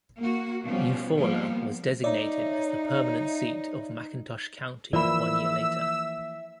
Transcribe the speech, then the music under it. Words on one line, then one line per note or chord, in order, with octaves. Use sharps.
Eufaula was designated as the permanent seat of McIntosh County one year later.
A#3 F#4
B2 F3 G3 B3 C#4
F3 G3 A#3 B3
D#4 C#5 D5 E5
E3 F3 A#3 D5 E5 B5 E6